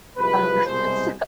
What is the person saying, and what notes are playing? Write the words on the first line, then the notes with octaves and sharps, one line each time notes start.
Um, so
C2 C3 F3 G#3 B4
C2 B2 G#3 C5